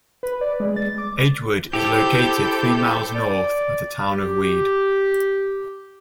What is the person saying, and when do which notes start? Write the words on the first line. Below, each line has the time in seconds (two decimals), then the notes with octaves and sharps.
Edgewood is located three miles north of the town of Weed.
0.23 B4
0.41 D5
0.60 G#3
0.76 A6
0.98 D6
1.73 E4 G4 A4 C5 G6
3.15 D5
4.11 G4